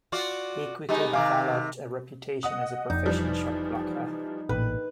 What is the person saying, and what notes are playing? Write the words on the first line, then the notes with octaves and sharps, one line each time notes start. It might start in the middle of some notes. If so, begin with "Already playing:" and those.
He quickly developed a reputation as a proficient shotblocker.
F4 F#4 D5
G#3 B3 D#4 G4
C3 D#3 F5 G#5 D6
D#5 F#5 D#6
F1 F2 D#4
E3 F3 G3
A1 A#2 B4